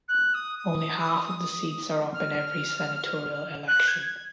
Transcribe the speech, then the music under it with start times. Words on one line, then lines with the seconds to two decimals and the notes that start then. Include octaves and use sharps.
Only half of the seats are up in every senatorial election.
0.08 F#6
0.34 D#6
0.59 D#6
2.14 F6
3.68 F#6
3.88 G#6
4.06 G#6